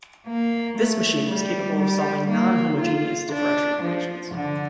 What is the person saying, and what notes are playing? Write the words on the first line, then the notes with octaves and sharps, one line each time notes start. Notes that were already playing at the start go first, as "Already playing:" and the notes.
This machine was capable of solving non-homogeneous differential equations.
A#3
A3
G3
G3
A#3
F4
D4
F3
D3